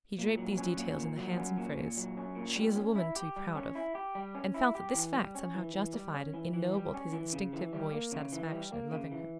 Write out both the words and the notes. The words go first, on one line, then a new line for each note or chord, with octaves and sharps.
He draped these details in the handsome phrase "She's a woman to be proud of", and felt that this fact somehow justified and ennobled his instinctive boyish satisfaction in loving her.
A#2
F#3
C#4
A#2
A#2
F#3
C#4
A#2
A#2
F#3
C#4
A#2
G3
C#4
E4
G4
G3
C#4
E4
G4
G3
C#4
E4
G4
E3
G3
C#4
E3
E3
G3
C#4
E3
E3
G3
C#4
E3
C#3
E3
G3
A#3
C#3
E3
G3
A#3
C#3
E3